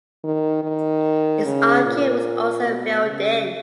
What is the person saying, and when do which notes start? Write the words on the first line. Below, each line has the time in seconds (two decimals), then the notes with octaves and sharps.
Its arcade was also filled in.
0.24 D#3
0.64 D#3
1.45 C#3
1.85 A#2
2.64 B2
3.05 C#3